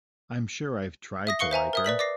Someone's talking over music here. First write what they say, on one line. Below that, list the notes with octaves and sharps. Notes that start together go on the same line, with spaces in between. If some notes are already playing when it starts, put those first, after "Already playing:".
I’m sure I’ve tried to like her.
E5 D#6 A#6
B4 F5 C#6 C#7 G7
C5 E5 G#5 A#5
A#4 E5 D#6
B4 D5 B6 F#7
D5 D6 A#6 C7